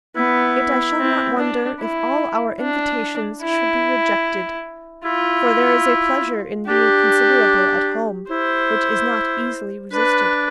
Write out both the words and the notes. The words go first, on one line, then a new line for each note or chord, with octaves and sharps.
Yet I shall not wonder if all our invitations should be rejected: for there is a pleasure in being considerable at home, which is not easily resisted.
B3 E4
C4
D4
E4
D4
E4
E4 F4
D4 G4
E4 C5
D4 B4